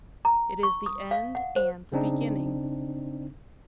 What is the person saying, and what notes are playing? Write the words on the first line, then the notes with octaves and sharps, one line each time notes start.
It is the end and the beginning.
A#5
C#6
D#6
F5
F#5
C5
C#3 C4 D4 D#4